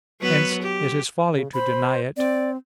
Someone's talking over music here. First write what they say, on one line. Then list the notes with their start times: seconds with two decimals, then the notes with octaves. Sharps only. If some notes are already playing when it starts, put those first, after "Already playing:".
Hence it is folly to deny it.
0.21 F#3 B3 B4
0.63 G4
1.33 C#3
1.54 C5 B5
2.17 C4 D5